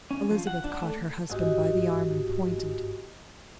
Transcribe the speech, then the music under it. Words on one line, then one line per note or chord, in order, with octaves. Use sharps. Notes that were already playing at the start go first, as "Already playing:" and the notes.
Elizabeth caught her husband by the arm and pointed.
C#4
F3
F#5
D4
A3
G1 G#2 E4 F#4 G4 D#5 G#5